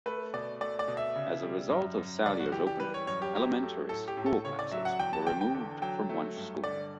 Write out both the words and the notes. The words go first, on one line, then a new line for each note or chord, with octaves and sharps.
As a result of Salyers opening, elementary school classes were removed from Wunsche School.
A3 B4
B2 D5
A3 D5
D5
B2
E5
C#3
G3
F#2
F#2
C#3 D5
F#4
E3 G4
G4
G3 B4
C#5
F#2 C#5
G4
F#3 G4
A3
A2 A4
G4
A2
A4
C#3 C#5
D5
F#3 E5
F#5
E2 G5
A5
E2 G5
G5
D3
F#3 G5
A3
G2
D3 D5